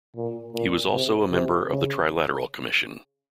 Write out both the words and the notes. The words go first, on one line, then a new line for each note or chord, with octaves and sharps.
He was also a member of the Trilateral Commission.
A#2
A#2
C3
C3
C#3